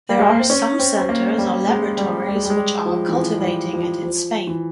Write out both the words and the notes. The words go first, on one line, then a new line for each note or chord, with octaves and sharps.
There are some centers or laboratories which are cultivating it in Spain.
G3
G#3
A#3
C4
C#4
C4
C4
A#3
G3
G#3
G3
G3
G#3
G3
G#3
G3
F3
E3
F3
G3
F3
F3
F3
E3